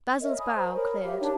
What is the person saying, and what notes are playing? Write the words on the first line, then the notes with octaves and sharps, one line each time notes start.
Basil's brow cleared.
A#4 C#5 D#5 E5
G#5 B5 D#6
C5 A#5
A#4 C#5 B5
G4 E5 F5
D4 D#4 G4 C#5